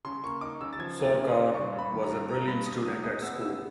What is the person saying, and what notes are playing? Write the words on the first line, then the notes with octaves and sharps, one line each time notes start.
Sorcar was a brilliant student at school.
C#3 C6
A#3 C#6
D#4 D6
C#3 E6
A6
F3 G#6
A#3
A6
C#3
D#6
D#4
G2 C#6
G2
B5
D#3
A#5
G2
G2 A#5
G2 B5
G2 D#6
F#3 D#6
G#3 D#6
B3 E6
B3 E6